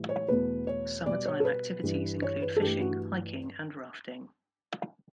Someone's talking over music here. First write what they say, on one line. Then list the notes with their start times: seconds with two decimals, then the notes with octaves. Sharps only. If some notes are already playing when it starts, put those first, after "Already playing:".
Summertime activities include fishing, hiking, and rafting.
Already playing: A2 E3 G3
0.09 C#5
0.28 E2 B2 A3 B4
0.67 C#5
1.06 B2 G3 D5
1.26 C#5
1.40 A4
1.45 B4
1.83 G2 E3 G3
2.22 C#5
2.42 B4
2.56 A4
2.61 G2 E3 A3 G4
2.81 F#4